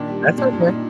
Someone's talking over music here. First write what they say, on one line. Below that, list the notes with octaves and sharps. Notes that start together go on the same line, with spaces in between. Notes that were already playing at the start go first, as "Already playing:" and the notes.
That's okay.
Already playing: A#2 D#3 D4
G3
A#2
A#2 D4
A#2
D#4
A#2